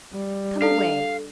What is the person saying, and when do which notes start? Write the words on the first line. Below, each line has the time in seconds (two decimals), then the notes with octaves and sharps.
Come away.
0.13 G3
0.62 D4 A4 D5 F5